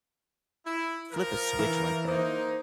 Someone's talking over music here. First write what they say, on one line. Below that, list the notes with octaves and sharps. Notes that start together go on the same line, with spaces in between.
flip a switch like that.
E4
F3 A#4
E3
A#3 D#4 C5